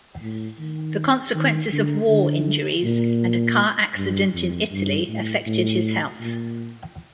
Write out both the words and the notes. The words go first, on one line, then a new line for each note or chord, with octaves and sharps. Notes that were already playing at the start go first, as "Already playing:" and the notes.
The consequences of war injuries and a car accident in Italy affected his health.
A2
D#3
D#3
D3
D3
A#2
G2
F2
G2
A2
A2
A#2